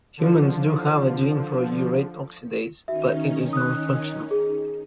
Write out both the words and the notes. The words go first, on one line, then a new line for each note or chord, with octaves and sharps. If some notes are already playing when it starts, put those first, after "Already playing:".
Humans do have a gene for urate oxidase, but it is nonfunctional.
D3 F3
D#3 C#4 D#4 F#4 E5
D#6 F#6
G#4